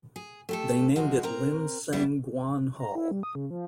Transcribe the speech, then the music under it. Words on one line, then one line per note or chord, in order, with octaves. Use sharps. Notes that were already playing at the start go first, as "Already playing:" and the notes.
They named it Lim Seng Guan Hall.
G#4
A3 G4 A4
D#2 F3 G#3 F#4
C4 A#4 A#5
G3 B3 D4 E4
A#5
E4
G3
D#6
C#3
F3